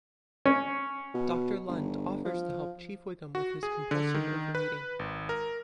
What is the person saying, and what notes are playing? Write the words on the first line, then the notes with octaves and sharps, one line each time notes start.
Doctor Lund offers to help Chief Wiggum with his compulsive overeating.
C#4
B2
G1
F3
F#4
G#4
D3
D#3
B4
G#1
A#4